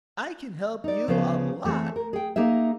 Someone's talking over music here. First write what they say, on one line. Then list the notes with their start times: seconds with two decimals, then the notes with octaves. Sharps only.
"I can help you a lot."
0.84 D#4 D5
1.07 D2 C#3 F3 B3 B4 C5
1.64 E3 A3 A#3 C4 G#4
1.96 A#4
2.13 G#4 G5
2.36 A#3 D#4 G#4 E5